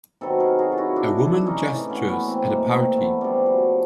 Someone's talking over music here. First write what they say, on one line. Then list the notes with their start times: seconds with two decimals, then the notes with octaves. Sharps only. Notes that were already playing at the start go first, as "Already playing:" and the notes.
A woman gestures at a party.
0.21 C3 D#3 F#3 A4 B4
0.40 G#4 A#4
0.59 F#4 G#4
0.72 F4
0.78 E4 F#4
0.96 D4 E4
1.46 C#4 D#4
1.72 A2 E3
1.90 B3 C#4
2.09 B3 C#4
2.28 A#3 C4
2.46 G#3 A#3
2.71 A#3 C4
2.96 A3 B3
3.21 C#3 F3 G3
3.46 F#3